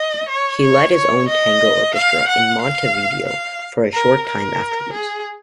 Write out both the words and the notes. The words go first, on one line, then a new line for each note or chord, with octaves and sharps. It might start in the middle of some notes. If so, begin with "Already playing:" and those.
He led his own tango orchestra in Montevideo for a short time afterwards.
Already playing: D#5
C#5
C#5
C#5
D#5
F5
F#5
F5
F5
A#4
A#4
G#4